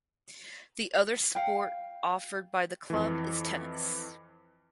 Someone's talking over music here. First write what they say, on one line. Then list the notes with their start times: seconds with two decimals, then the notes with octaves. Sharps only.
The other sport offered by the club is tennis.
1.35 F5 G5
2.90 F2 E3